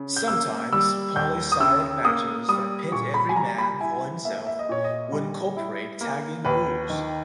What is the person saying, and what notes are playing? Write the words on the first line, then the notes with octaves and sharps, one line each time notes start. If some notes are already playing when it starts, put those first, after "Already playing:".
Sometimes, poly-sided matches that pit every man for himself will incorporate tagging rules.
Already playing: C#3
G6
A#3 E6
G3 E6
D#2 G6
D#6
C#3 E6
A#3 D#6
G3 D#6
A#2 C#6
B5
G#5
G3 A#5
B5
E4 G#5
A#3 E5
E5
D#5
A#2 C#5
D#5
G3
E4
A#3
D#2 B4
D#3